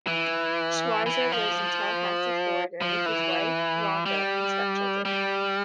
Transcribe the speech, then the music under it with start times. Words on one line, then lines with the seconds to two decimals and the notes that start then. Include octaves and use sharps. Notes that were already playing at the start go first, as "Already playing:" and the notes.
Schweizer lives in Tallahassee, Florida with his wife, Rhonda, and step-children.
0.07 E3
1.06 E3
1.32 F3
2.82 F3
3.06 E3
4.06 G3
5.05 G3